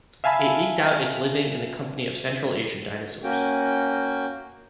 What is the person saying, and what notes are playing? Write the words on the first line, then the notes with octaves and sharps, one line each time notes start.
It eked out its living in the company of Central Asian dinosaurs.
E5 F5 G#5 A5 B5 E6
A#3 C#4 F#4 G5